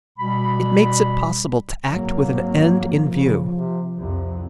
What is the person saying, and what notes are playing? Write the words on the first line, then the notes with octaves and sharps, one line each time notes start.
It makes it possible to act with an end in view.
B2 G3 B5
G#1 F#3 A#3
C4
F3
C#3
C3
C2 F2 C3